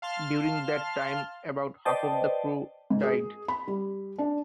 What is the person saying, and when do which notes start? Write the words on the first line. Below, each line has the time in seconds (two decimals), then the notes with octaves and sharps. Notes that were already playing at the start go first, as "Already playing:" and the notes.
During that time, about half of the crew died.
0.02 F5 A5 C6 F6
1.85 B4 C5 D5 D#5 G5 A5
2.90 G#2
3.03 G#4
3.48 B5
3.68 G3
4.19 D4